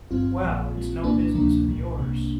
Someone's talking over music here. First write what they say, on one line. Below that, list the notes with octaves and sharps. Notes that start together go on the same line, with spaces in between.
Well, it's no business of yours.
G1 G2 G3 C4 F4
A#1 A#2 F3
A#1 A#2 G3
C2 A#2 G3 A#3 D4
D2 C3 F3 A#3 D4
C2 A#2 G3
C2 C3 G3